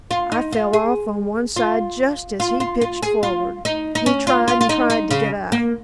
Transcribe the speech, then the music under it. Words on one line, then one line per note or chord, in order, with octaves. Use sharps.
I fell off on one side just as he pitched forward. He tried and tried to get up.
F4
D#4
F4
G#4
F4
F4
F4
F4
G#4
F4
D#4
D#4
C#4
F4
F4
F4
D#4
D#4
C#3
A#3